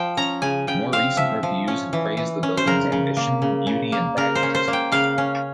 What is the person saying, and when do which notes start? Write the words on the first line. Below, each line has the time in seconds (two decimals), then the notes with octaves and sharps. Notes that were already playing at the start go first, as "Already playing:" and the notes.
More recent reviews have praised the building's ambition, beauty, and pragmatism.
Already playing: F3 G5
0.17 C#4 A#5
0.42 C#3 G#5
0.67 C#3 G5
0.92 C4 F5
1.17 F3 E5
1.43 F3
1.68 C#4
1.93 E3
2.17 E3
2.43 C#4
2.57 C5
2.67 C#3 A#4
2.92 C#3
3.17 A#3
3.42 C#3
3.67 C#3
3.92 A#3
4.17 C#3 A#4
4.35 C5
4.43 C#4
4.55 C5
4.68 A#3
4.73 G5
4.92 C#3 F5
5.18 C#4